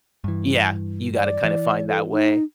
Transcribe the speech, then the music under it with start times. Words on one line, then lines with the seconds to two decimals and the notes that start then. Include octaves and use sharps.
Yeah, you gotta kind of find that way.
0.24 G2 E3
1.16 D5
1.44 E3
1.87 A4
2.11 D#4